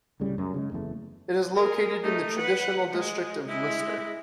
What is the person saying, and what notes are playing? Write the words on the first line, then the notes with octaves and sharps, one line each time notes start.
It is located in the traditional district of Lister.
C2 A2 C#3 G3
F#2
C#3 E3 G#3
F#1 E2 C3 A3
G#4 A#4
A3 D#4
B4 F#5
G#3
G#3 E4